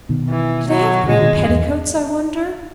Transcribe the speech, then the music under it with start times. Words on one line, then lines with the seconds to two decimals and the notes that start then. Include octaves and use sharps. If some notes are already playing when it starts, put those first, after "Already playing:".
Do they have green petticoats, I wonder?
0.09 B2 D#3
0.29 E3
0.69 F#3
1.04 D#3
1.08 A#2 C#3 G#3
1.21 B2 D#3
1.36 F#2
1.49 E2 G#2